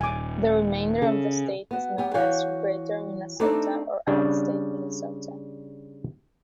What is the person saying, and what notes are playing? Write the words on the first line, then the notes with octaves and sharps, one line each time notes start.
The remainder of the state is known as "Greater Minnesota" or "Outstate Minnesota".
D#1 G#5 D6
C#3 A4
B3 F#4
B3 G4
E3 F#4 C#5 F5 G5
A3 C4 D4 D#4 G4 A4
C#3 G3 D4